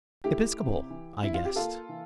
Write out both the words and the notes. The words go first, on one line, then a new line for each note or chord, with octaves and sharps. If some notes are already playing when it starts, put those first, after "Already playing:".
"Episcopal?" I guessed.
A3 E4 G4
C3
E3
C4 E4
F4
G4
A#3 F4 A4
E3